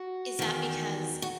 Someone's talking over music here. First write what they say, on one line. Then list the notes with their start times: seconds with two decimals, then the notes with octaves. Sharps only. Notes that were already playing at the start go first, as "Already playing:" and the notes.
Is that because
Already playing: F#4
0.39 E2 D#3
1.22 F#4